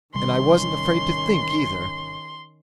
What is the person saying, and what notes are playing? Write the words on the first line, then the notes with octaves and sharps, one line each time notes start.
And I wasn't afraid to think either.
G#1 C3 D#3 G3 C#4 C6